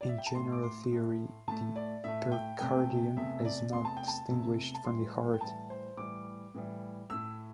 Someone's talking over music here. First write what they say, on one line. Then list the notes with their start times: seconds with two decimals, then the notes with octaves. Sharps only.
In general theory, the Pericardium is not distinguished from the Heart.
0.01 D5
0.08 E5
0.18 G5
0.26 A5
0.35 A2 A3 C6
0.52 D6
0.63 C6
0.91 A2 A3
1.48 A2 A3 A5
1.76 D5
2.04 A2 A3 E5
2.32 G5
2.60 E2 C3 A3 G5
3.17 E2 C3 A3 E5
3.45 D5
3.73 E2 C3 A3 C6
3.85 A5
3.97 G5
4.08 A5
4.29 E2 C3 A3
4.74 A5
4.85 A2 E3 G3 C6
5.34 G5
5.41 A2 E3 G3 A5
5.70 C5
5.97 A2 E3 G3 D6
6.54 A2 E3 G3
7.10 A2 A3 E6